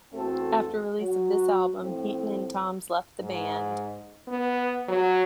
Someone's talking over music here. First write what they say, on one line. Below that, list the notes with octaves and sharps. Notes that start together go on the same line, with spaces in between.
After release of this album, Heaton and Thoms left the band.
E2 A3 C4 F#4 A4
F#3 F#4
A2 F3 C4
G#2
B3
F#3